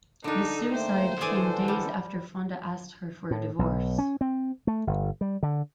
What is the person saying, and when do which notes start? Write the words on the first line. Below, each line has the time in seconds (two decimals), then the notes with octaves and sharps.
This suicide came days after Fonda asked her for a divorce.
0.24 D3 D4 D#4 A4
0.72 A3 A#3 C5 G5
1.21 D3 E3 G#4 A4 D5 G#5
1.68 G3
3.31 A2
3.59 B1
3.98 C#4
4.21 C4
4.67 A3
4.87 G1
5.21 G3
5.43 D3